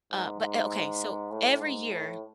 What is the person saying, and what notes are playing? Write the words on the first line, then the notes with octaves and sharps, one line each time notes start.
uh, but o okay, so, every year,
G#2
G#2
A2
G#2
A2